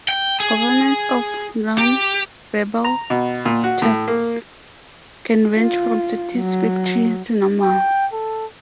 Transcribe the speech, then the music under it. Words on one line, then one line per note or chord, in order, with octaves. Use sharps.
Performance of nonverbal tasks can range from satisfactory to normal.
G5
G#4
G4
A#5
B2
A#2
F#4
A2
A#3
F4
F#3
G5
A4